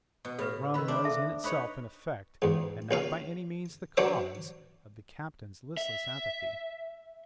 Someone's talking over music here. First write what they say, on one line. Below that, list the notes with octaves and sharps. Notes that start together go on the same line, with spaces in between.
Rum was in itself an effect, and not by any means the cause of the Captain's listless apathy.
B2
A2 G4 B4
D#3 A#4 B4 B5
D4 C5
A4 E5 A5
D#4 B4 C#5
E2 G#2
A#1 C#4 F5
F#3 D4 C5 C#5 E5 D6
E5